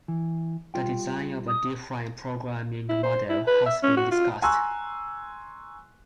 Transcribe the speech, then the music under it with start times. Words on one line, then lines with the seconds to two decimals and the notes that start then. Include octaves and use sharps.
The design of a different programming model has been discussed.
0.08 E3
0.74 G3 F4 G5
1.48 D#6
2.89 E4
3.03 C5
3.29 E4
3.47 B4
3.66 E5
3.83 C#4
3.97 F#4
4.11 F4
4.42 G#5 A#5 C6 C#6 E6 F#6